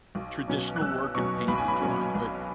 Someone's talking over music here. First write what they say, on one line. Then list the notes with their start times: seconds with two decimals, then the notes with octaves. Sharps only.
traditional work and paint and drawing, but
0.15 B1
0.48 B2 F#3 C#4
0.76 F#6
0.81 B1 E6
1.15 B2 F#3 C#4 C#6
1.48 B1 B5
1.58 G#5
1.68 B5
1.82 B2 F#3 C#4
2.15 B1